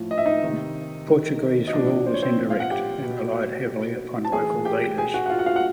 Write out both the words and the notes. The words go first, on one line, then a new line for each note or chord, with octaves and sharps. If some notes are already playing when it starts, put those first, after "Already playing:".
Portuguese rule was indirect and relied heavily upon local leaders.
Already playing: A2 F3
D#5
E5
D#4 D#5
C3 D#3
C3 D#3
D#5
A#2 F3 D4 D5
C5
C#5
C4 C5
A#2 F3
F5
F#5
G4 G5
B2
B2
A5
A2 E3 G#4 G#5
G4 G5
B2 G#4 G#5
F#4 F#5
F#5
F4 F5
F#5
F4 F5
F#5